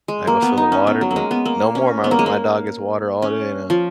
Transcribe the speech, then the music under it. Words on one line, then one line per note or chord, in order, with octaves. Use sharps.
I go fill the water, but no more. My my dog gets water all day now.
G#3
A#3
B3
D#4
C#4
B3
F#3
A#3
G#3
B3
A#3
C#4
B3
A#3
G#3
A#3
C#4
F3